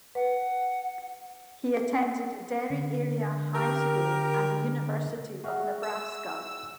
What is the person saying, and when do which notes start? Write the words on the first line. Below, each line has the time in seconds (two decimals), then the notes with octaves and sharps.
He attended Derry Area High School and the University of Nebraska.
0.15 B4 F#5
2.70 D3
3.54 G4 A#4
5.44 F#4 G#4 E5 F6
5.83 E6